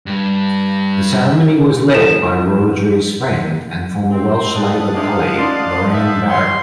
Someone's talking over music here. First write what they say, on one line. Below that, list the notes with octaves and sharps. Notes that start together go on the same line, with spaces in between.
The ceremony was led by Rhodri's friend and former Welsh Labour colleague Lorraine Barrett.
G2 G3
E4 A4 E7
C4 G4
A2 D#5 F#5 A5
C3 D4 G#4 F5
A3 C#4 D#4 D5 C6
G#3 C5 E5
G#2 G3 E4 G#4 C#5 C6